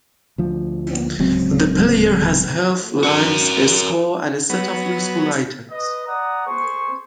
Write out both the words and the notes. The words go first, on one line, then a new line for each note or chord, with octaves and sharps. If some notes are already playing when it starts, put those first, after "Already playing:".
The player has health, lives, a score, and a set of useful items.
D2 F3
D1 C#2 F#3 C4
F#4 A#4
F#3 B3
B4 D#5
D5 F#5 A#5 D#6
G#4 C5 C#6